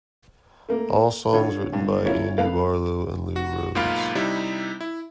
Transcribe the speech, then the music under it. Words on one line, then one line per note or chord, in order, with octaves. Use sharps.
All songs written by Andy Barlow and Lou Rhodes.
A3 A#3
D3 F4 C#5
G2
E4 F4 A#4 C#5 E5
F2 A4 B4 F5
F#4
B1 G#2 A#3 F4 F5 B5
C3 G3 D#4 E4
E4